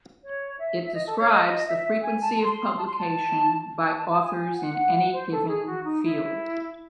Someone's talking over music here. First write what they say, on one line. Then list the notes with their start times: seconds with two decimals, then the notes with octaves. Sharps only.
It describes the frequency of publication by authors in any given field.
0.23 C#5
0.59 E5
0.82 E5
0.95 D#5
1.07 A4
1.19 C#5
1.31 D#5
1.67 E5
2.04 G#5
2.22 A5
2.40 C6
2.77 A5
2.87 C6
2.98 A5
3.85 A5
3.98 A5
4.09 A5
4.22 G#5
4.58 F#5
4.95 F#5
5.13 C5
5.31 A4
5.49 G#4
5.67 F#4
5.85 D#4
6.04 E4